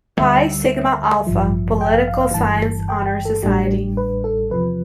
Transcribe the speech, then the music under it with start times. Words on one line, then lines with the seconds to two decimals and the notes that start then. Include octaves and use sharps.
Pi Sigma Alpha - Political Science honor society.
0.19 D2 D3 G3 E5
1.27 A1 G2 F3
1.81 G5
1.95 F5
2.08 F5
2.21 F5
2.34 G1 G2 E3 A5
2.89 G5
3.06 G5
3.25 A4
3.43 A1 A2 G3 D4 G4
3.97 B4
4.24 A4
4.50 E2 C3 F3 B4